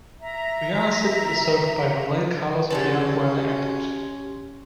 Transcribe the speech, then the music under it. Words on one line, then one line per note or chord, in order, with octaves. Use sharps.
Guayana City is served by Manuel Carlos Piar Guayana Airport.
E5 A#5
C#3 F#3 C#4 G4 A5 C6